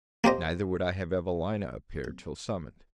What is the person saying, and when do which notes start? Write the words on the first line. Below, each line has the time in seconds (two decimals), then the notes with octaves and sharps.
Neither would I have Evelina appear till summoned.
0.24 A#3 G4 C5 D#5